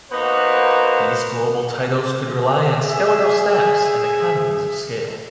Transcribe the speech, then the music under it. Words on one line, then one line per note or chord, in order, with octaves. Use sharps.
These global titles could rely on skeletal staffs and economies of scale.
A#3 B3 D#4 F#4 C5
G#4 E5